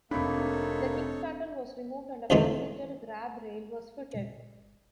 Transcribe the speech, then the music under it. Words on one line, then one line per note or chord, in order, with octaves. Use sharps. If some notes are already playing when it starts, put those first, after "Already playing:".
The kick-starter was removed and a passenger grab rail was fitted.
F1 A#3 C4 D4 D#4 A4 C#5 B5
D2 C3 D#3 E3 G#3 A3